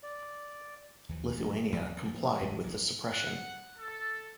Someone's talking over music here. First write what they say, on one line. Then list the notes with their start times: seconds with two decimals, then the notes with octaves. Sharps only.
Lithuania complied with the suppression.
0.03 D5
1.09 D#2 E3 F3
1.36 D1 A2 D#3
1.76 D#2
2.03 F3 A#3
2.40 D#1 F2 D#3 G#3
2.63 D1 A#1 G#2 C3
3.10 F#5
3.78 A4